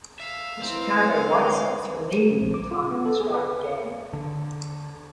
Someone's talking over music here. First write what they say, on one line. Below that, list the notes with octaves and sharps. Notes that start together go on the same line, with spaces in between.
The Chicago White Sox were leading at the time that the strike began.
E5 F5
E3 C4 D#4
G#3 B4 C#5 G#5
A#1
D6
F4
B3
A4
G#4
B4
D3